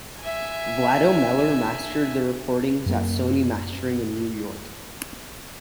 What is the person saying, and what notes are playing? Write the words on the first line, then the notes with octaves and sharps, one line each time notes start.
Vlado Meller mastered the recordings at Sony Mastering in New York.
E5 G#5
F#2 A#3